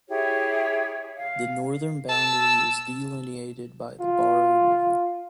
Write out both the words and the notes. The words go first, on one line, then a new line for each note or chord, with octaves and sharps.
The northern boundary is delineated by the Baro River.
E4 G4 G#4 C#5
F5
A5 E6
F4